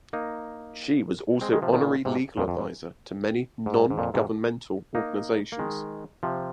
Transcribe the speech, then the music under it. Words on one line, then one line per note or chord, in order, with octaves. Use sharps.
She was also honorary legal adviser to many non-governmental organisations.
A#3 D#4
G#3 C4
D#3 G#3
C3 F3
A#2 D#3
G#2 C3
F2 A#2
F2
G#2
G#2
G#2
F2 A#2
G#2 C3
A#3 D#4
A#3
D#3 G#3
C3 F3